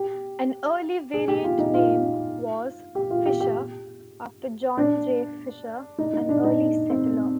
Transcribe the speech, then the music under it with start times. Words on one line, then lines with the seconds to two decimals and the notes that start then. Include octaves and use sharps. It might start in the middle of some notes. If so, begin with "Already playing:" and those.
An early variant name was "Fisher", after John J. Fisher, an early settler.
Already playing: G4
1.14 G#4
1.28 G4
1.44 F4
1.58 D#4
1.74 F4
2.95 G4
3.10 F4
3.26 G4
3.40 G4
4.77 D4
5.98 D#4
6.13 D#4
6.29 D4
6.44 D#4
6.90 C4